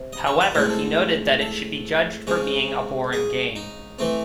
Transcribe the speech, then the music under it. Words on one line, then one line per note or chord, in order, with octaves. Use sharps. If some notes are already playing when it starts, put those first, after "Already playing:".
However, he noted that it should be judged for being a boring game.
Already playing: C3 C4
D#5
C#5
C5
A2 G#3 C4 C5
A4
A4
C#3 G#3 C4
G#4
D#4
E3 A3 C4